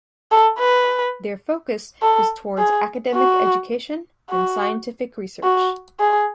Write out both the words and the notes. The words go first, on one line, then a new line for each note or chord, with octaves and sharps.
Their focus is towards academic education and scientific research.
A4
B4
A4
G#4
F#4
F#4
F#4
G#4